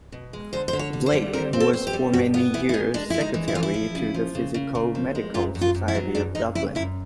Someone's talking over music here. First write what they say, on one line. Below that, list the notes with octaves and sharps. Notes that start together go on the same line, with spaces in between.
Blake was for many years Secretary to the Physico-Medical Society of Dublin.
B2
G#3
D3 C5
C5
D3
C#5
G3
C5
G3
C4 A#4
C4
A4
C4
G4
G3
G2 F#4
B3 F4
E3 E4
E4
B3 D#4
G#3 D4
G#3 E4
D#4
E3
E4
E3 F4
E4
F3
C#3
F3
C#3
C#3
C#3
F3
G#3
F#2 F4
F#2
F4
F#2
E4
F#3
F#2 D4
F#2 D#4
C#3 E4
F#2 E4